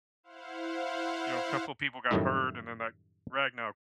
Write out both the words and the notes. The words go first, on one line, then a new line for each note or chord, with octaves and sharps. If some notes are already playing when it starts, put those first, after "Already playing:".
you know, a couple of people got hurt, and then that Ragnar,
E4 C5 F5 F#5
F#2 A2 D#3 G3 A3 E4